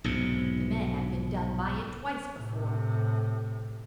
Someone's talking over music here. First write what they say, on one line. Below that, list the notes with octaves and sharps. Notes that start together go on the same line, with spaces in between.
The men have been done by it twice before.
B1 G#2 C3
A2 C3